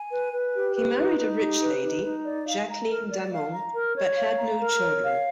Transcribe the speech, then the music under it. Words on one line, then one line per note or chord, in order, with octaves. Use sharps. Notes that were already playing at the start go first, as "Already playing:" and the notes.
He married a rich lady, Jacqueline Damant, but had no children.
Already playing: G#5
B4
B4
G4
B4
D#4
D#4
G4
B4
D#4
D#4
D5
F5
A#5
A#4
D5
F5
A#5
A#4
C#5
F5
A#5
A#4
C#5
F5